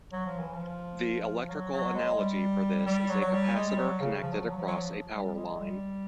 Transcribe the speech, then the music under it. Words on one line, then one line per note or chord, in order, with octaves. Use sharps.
The electrical analogy for this is a capacitor connected across a power line.
F#3
F3
E3
F3
F#3
F#3
G#3
G3
G3
F#3
F#3
G3
G#3
G3
F#3
C#3
F3
F#3
F3
F#3
F3
F#3
F3
G3
G#3
G3